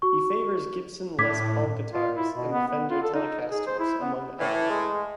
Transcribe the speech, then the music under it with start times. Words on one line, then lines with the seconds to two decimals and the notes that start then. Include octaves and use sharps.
He favors Gibson Les Paul guitars and Fender Telecasters among others.
0.02 F#4 C#6
1.19 A2 D6 G#6 B6
1.94 F4
2.16 E4
2.35 B2
2.52 B3
2.68 B3
2.90 F4
3.03 A4
3.15 D#4
3.49 G#4
3.67 C5
3.80 E4
4.01 B3
4.40 A2 E3
4.70 G#3